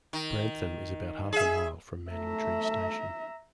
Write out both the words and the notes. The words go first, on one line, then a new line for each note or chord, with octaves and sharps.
Brantham is about half a mile from Manningtree station.
D#3
G#4 E5
A3 E5 A#5